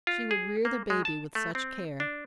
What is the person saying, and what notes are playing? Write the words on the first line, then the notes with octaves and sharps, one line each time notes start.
She would rear the baby with such care.
F4
G#4
A#3
G#3
A5
A3
C4
D4